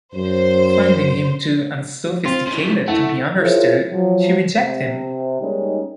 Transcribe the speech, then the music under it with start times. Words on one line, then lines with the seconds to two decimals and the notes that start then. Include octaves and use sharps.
Finding him too unsophisticated to be understood, she reject him.
0.15 F#2 C5
2.26 C4 F4
2.47 C#3 E3
2.88 A3 E4 F#5
3.41 E4 F4 G#4 A#4 C5 C#5
3.92 F3 F#3
4.59 C3
5.41 G3 G#3 A#3 C#4 D#4